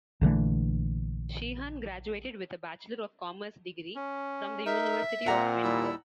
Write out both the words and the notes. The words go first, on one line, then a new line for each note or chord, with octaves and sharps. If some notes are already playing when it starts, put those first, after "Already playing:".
Sheehan graduated with a Bachelor of Commerce degree from the University of Windsor.
A#1 D3 E3 A3
C#4
D#4 A#4 E5
A#2 C4 F#5 A#5
D#2 G3 E4 E6